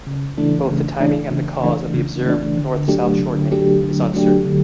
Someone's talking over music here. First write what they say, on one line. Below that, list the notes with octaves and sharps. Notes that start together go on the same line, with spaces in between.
Both the timing and the cause of the observed north–south shortening is uncertain.
C#3
E3 A3 D4
C#3
E3 A3 D4
C#3
E3 A3 D4
C#3
E3 A3 D4
D3
F#3 A3 D4 G4
D3
F#3 A3 D4 G4
D3
F#3 A3 D4 G4
D3